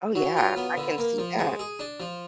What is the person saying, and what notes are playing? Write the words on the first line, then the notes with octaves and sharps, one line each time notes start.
Oh, yeah. I can see that.
F#3
F4
B3
D3
A#3
F3
G#3
G#4
D4
F3